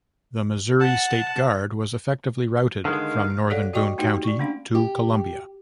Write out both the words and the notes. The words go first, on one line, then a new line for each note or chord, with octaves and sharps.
The Missouri State Guard was effectively routed from northern Boone county to Columbia.
F#5 A5
D3 D#3 G#3 F5
A4 C#5 D5 F5 F#5
F#4 D5 D#5 G5 C#6 D6
A3 A#3 D#4 F#4 G4
D5 C#6
A3 A#3 C#4 D4 F5
G4